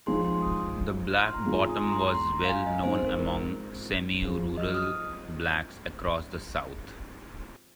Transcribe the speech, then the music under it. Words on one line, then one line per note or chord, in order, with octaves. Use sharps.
The black bottom was well known among semirural blacks across the South.
F3 G#3 D#4 G#4 C6
C6
D#6
F6
C6
A#5
G#2 G#3 F4 G#4
G#5
D#6
C6
A#5
C6
C6
A#5
F5
G#5
D#5
G#2 G#3 C4 D#4 C5
C5
A#4
A#4
F3 C4 G#4
D#5
F6
D#6